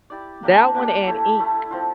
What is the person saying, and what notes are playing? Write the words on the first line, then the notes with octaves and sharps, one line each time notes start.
That one and Ink,
E4 G4 D5
A#3 D4 G4 A#4
A#3 D4 G4 A#4
A3 E4 A4
A3 E4 A4
F3 C4 F4